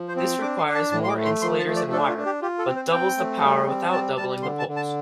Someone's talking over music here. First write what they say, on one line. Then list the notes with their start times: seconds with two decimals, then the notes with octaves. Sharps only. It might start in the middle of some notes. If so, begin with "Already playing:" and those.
This requires more insulators and wire, but doubles the power without doubling the poles.
Already playing: F3
0.08 C5
0.16 C4
0.42 D4 D6
0.58 C6
0.66 D4
0.74 A5
0.91 A2 A5
1.04 C6
1.08 D6
1.17 A3
1.25 C6
1.42 F3 C6
1.59 A5
1.67 A3
1.76 D5
1.92 D4 A4
2.09 F4
2.18 D4
2.26 G4
2.42 F4 G4
2.59 A4
2.67 C4
2.76 C5
2.92 C4 G5
3.17 A3
3.43 G3
3.67 C4
3.92 G3 A5
4.17 G3 A5
4.42 D3 C6
4.59 A5
4.68 D3
4.76 A5